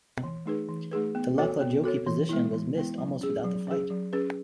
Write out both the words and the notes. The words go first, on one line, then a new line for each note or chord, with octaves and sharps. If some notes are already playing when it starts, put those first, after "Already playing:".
The Laklajoki position was missed almost without the fight.
E3
A3 D#4 G#4 B4
E3
A3 D#4 G#4 B4
B3
F#4 A4 C#5
B3
F#4 A4 C#5
E3
G#3 B3 E4
E3
G#3 B3 E4
F#3
C#4 G#4
F#3
C#4 G#4
F#3
C#4 G#4 B4